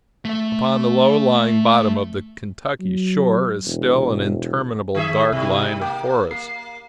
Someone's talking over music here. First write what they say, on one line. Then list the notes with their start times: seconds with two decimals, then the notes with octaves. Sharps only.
Upon the low-lying bottom of the Kentucky shore, is still an interminable dark line of forest.
0.25 A3 E5
2.79 F#3
3.66 E1
4.95 D#3 G#4 E5
5.32 G#2 C3 G3
5.81 A#3 G5 D6
6.31 A#3 C7